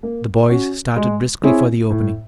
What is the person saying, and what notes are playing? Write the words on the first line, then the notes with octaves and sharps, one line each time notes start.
The boys started briskly for the opening.
A#3
C#4 F#4
G#3
C4 E4 G#4 C#5
A2